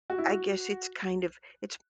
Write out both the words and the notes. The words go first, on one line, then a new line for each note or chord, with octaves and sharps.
I guess it's kind of, it's
F#4
E4
F#4